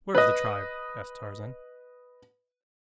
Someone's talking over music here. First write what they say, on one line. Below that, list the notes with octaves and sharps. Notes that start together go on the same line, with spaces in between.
"Where is the tribe?" asked Tarzan.
B4 D#5